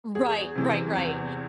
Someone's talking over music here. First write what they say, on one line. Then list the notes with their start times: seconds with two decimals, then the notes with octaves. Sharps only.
Right, right, right.
0.15 E2 G#4
0.55 C3 E3
0.95 E2